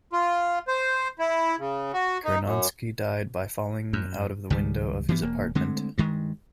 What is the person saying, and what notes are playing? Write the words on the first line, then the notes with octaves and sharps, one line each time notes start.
Curnonsky died by falling out of the window of his apartment.
F4
C5
E4
C#3
F#4
D#4
F#2
F#2
C#2 D#3 G3
E3 F3 A3 B3
E1 A#3
D3 G#3 A3 C4
G2 D#3 G#3